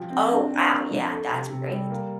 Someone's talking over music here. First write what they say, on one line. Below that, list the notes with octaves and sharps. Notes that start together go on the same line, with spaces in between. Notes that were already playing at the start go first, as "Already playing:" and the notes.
Oh, wow, yeah, that's great.
Already playing: F3 G4
C4
D4
D4
A#3
F3
A4
C3
C3
G3
A#3